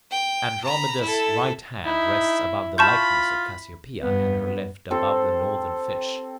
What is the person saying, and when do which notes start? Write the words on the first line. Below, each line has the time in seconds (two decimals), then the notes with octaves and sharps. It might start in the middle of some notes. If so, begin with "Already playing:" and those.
Andromeda's right hand rests above the likeness of Cassiopea, and her left above the Northern Fish.
0.11 G5
0.65 A#5 B5
1.01 E4 A4
1.85 D#4 E4
2.78 F4 A5 B5 C#6 G6
4.01 G2 B3
4.91 C4 A4